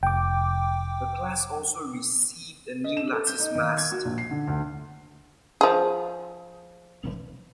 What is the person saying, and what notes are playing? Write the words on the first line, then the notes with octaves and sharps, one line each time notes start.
The class also received a new lattice mast.
F1 G5 D6
D#5
E7
A4
G6
D#4
D#3
G#6
F#4
A#1
C7
D3
D2
F3 G#4